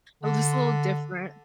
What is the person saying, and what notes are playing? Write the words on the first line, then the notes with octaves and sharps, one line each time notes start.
uh, just a little different.
D3